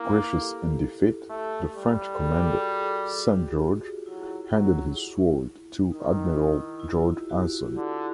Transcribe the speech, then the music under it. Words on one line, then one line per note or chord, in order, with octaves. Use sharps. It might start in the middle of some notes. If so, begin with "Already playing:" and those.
Gracious in defeat, the French Commander, Saint-Georges, handed his sword to Admiral George Anson.
Already playing: A#3 E4
G4 A4
A3
G3
A4
F#4 G#4
F#4 G#4
F4 G4
F4
F#3 E4
F#3
D#3 D#4
E4
E4
E4
F4
G4
E4 F#4
D3 F4 G4